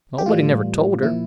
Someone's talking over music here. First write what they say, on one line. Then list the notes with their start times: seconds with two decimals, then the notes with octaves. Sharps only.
"Nobody never told her."
0.18 G4
0.26 A2 E3 G3 F4
1.02 A#2 F3 E4